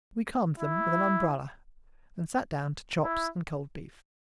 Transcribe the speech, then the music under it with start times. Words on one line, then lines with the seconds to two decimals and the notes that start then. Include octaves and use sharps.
We calmed them with an umbrella, and sat down to chops and cold beef.
0.60 E4
3.03 E4